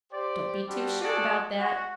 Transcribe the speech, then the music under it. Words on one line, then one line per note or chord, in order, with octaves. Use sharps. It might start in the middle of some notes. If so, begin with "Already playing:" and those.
"Don't be too sure about that."
G4 C5 D5
G3 C4 D4 F#4 G4
G#3 F#4 G#4 A4 D5 F#5
F#4